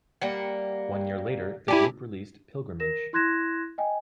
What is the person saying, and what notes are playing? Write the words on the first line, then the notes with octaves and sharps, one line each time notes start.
One year later, the group released "Pilgrimage".
G3 A#3 F#5
D4 E4 G4 G#5
A#4 A#6 E7
E4 C6 F#6 G#6 A#6 E7
D#5 G5 G#5